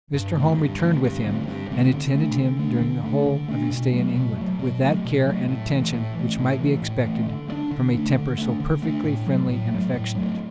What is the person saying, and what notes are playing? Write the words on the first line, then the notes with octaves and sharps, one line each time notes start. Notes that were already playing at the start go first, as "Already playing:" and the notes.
Mr. Home returned with him, and attended him during the whole of his stay in England, with that care and attention which might be expected from a temper so perfectly friendly and affectionate.
G2
D3 A3 C4
G2
D3 A3 C4
G2
D3 A3 C4
G2
D3 A3 C4
D3
A3 D4
D3
A3 D4
D3
A3 D4
D3
A3 D4
B2
F#3 A3
B2
F#3 A3
B2
F#3 A3
B2
F#3 A3
A2
E3 A3
A2
E3 A3
A2
E3 A3
A2
E3 A3
D3
A3
D4
D3
A3 D4
D3
A3 D4
D3
A3 D4
A2
F#3 A3
A2
F#3 A3
A2
F#3 A3